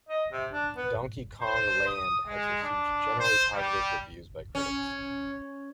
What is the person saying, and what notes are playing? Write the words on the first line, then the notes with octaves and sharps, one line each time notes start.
"Donkey Kong Land" has received generally positive reviews by critics.
D#5
C3
D4
B3
C5
D#6
G#3
D4
C5
G3
C#4